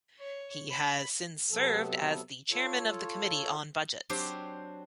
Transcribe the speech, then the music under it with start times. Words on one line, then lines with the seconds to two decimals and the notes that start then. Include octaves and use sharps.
He has since served as the chairman of the Committee on Budgets.
0.20 C#5
0.70 B5
1.51 C3 F#3 B3 A4
2.51 F4 A4 C#5
4.10 F#3 C4 D4 G4 C5